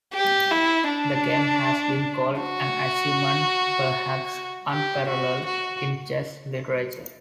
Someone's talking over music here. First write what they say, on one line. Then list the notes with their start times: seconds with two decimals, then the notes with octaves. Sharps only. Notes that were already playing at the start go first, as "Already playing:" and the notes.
The game has been called an achievement "perhaps unparalleled in chess literature".
0.14 G4
0.51 E4
0.89 D4
2.41 F#4
4.70 G4
5.09 F#4
5.47 F#4